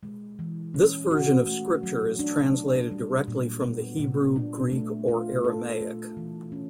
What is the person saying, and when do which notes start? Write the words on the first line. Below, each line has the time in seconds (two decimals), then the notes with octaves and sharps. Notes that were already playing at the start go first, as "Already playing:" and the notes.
This version of scripture is translated directly from the Hebrew, Greek or Aramaic.
0.03 G#3
0.39 E3
0.74 C#4
1.11 F#4
1.46 A3
1.83 F#3
2.19 D4
2.55 F#3
2.91 G3
3.28 A#2
3.63 B3
3.99 A#2
4.36 D4
4.72 A3
5.08 F4
5.44 A4
5.80 A3
6.17 E3
6.52 C#4